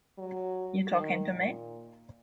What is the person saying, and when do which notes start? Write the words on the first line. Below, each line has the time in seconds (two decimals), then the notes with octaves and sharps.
You talking to me?
0.18 F#3
0.91 D#3
1.28 A#2